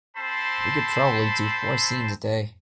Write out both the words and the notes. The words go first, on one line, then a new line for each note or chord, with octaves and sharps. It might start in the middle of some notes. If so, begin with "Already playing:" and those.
We could probably do four scenes a day.
C4 A4 C5 A5 B5 C6